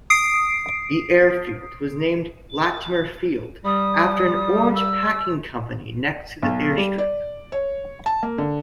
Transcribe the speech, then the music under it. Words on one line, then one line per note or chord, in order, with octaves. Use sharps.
The airfield was named Latimer Field after an orange-packing company next to the airstrip.
D#6 C7 D7
G3 D#6
E6
B1
G3
D5
C#5
A5
A#3
D3